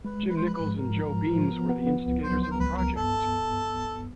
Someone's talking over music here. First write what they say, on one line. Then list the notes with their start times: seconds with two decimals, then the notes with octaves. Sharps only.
Jim Nicholls and Jo Beams were the instigators of the project.
0.05 G#3 B4
0.23 G#3
0.29 B4
0.37 C5
0.41 F3 B4
0.54 B4
0.60 G#2
0.78 G#2 A#4
0.96 F3
1.14 F3
1.33 F3
1.51 B3
1.69 B3
1.87 B3
2.06 C#2
2.23 F#3 C5
2.42 B3 C5
2.51 A#4
2.60 C#2 B4
2.78 B3 A#4
2.97 G2 A4